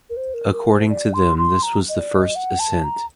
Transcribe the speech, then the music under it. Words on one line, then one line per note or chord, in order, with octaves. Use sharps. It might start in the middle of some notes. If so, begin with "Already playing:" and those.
According to them this was the first ascent.
A#4
C5
A#4
A#4
C5
D5
C6
C6
A#5
D#5
D5
D#5
F#5
A5
A#5